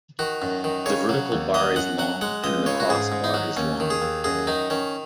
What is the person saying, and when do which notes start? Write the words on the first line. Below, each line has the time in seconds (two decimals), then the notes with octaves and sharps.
The vertical bar is long and the crossbar is long.
0.19 D#3 F#4
0.42 F#2
0.64 D#3
0.86 C#3 C#5
1.09 F#3
1.32 D#2
1.54 F#3 D#5
1.76 F#2 F#5
1.99 F#3 F#5
2.21 G#3 F#5
2.44 C#2 D#5
2.66 C#3 C#5
2.80 F#4
2.89 G#2 G#4
3.12 G#2
3.24 D#4
3.34 F#3
3.57 D#2 C#4
3.80 D#3
3.90 G#4
4.02 D#2
4.24 F#2 G#4
4.47 D#3 D#4
4.70 D#3 C#4